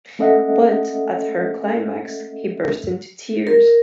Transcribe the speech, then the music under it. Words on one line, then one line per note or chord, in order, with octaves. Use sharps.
But at her climax he burst into tears.
A3 C#4 A4 D#5 E5 F#5
A#4